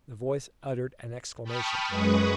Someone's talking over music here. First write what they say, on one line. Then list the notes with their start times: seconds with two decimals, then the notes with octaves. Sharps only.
The voice uttered an exclamation.
1.44 G5 A5 B5 C#6 D#6 F6
1.88 F#2 G#3 B4 B5 C#6 D#6